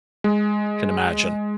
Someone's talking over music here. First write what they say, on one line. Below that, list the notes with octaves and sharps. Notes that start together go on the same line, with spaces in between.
Can imagine.
G#3